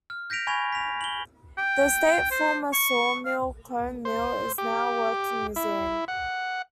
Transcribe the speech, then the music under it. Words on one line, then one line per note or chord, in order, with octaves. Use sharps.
The estate's former sawmill, Combe Mill, is now a working museum.
F6
G6 A#6 B6 D7 F7
G#5 B5 C#6 G#6 F7
B6 F7
F#7 G7
G5
C5
C#6
F5
C5
G4
E4
F#5